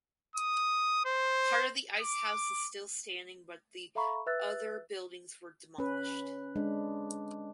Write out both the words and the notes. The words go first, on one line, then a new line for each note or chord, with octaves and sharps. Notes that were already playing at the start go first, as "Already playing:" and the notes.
Part of the ice house is still standing but the other buildings were demolished.
D#6
C5
D6
A4 E5 F5 A#5 B5 C#6
B4 E5 E6 F#6 A6
C#4 B4
G#3 D4